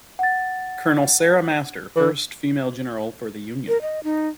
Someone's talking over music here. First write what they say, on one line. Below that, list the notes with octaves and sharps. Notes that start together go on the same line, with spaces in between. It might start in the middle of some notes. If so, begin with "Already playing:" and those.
Colonel Sarah Master - First female general for the union.
F#5 A6
E3
A#4
D#5
D#4